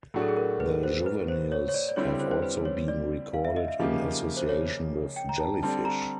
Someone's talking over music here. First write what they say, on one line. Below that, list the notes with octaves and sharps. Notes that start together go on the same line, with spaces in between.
The juveniles have also been recorded in association with jellyfish.
A2 F#3 A3 D4 F#4 G#4
A4
G#4
A#4
B4
C5
B4
C5
C#5
C#5
D5
D5
D3 G3 C4 E4 G4 C#5
C5
C5
B4
C#5
D5
F5
E5
D#5
E5
C#3 F3 A#3 D#4 G4
C5
C#5
G5
A#5
A5
D3 G3 C4 A5
A#5